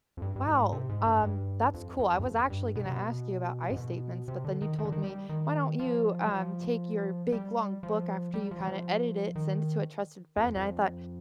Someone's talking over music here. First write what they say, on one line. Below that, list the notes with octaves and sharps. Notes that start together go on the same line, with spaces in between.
Wow, um, that's cool, I was actually gonna ask you about "I" statements, but then you told me, "Why don't you, um, take your big, long book after you, kinda edit it, send it to a trusted friend," and I thought,
F2
G2
G2
G#2
C3
G#2
G2
G2
F2
F2
G2
F2
G2
B2
C3
B2
G#2
B2
C3
D3
D#3
D#3
D3
D#3
G3
D#3
F3
G3
F3
G3
F3
G3
F3
G3
F3
D#3
F2
F2